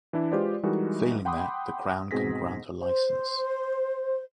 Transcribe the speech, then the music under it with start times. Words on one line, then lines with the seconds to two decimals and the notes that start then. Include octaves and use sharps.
Failing that, the Crown can grant a licence.
0.13 E3 D4 E4
0.32 G#3 F4 G4 B4 C5 D5
0.63 E3 G3 G#3 D#4 F#4 A#4
1.25 F#5 G5 B5 C6 D6 D#6
2.11 G#2 B2 C4 G#4 A#6 B6
2.79 C5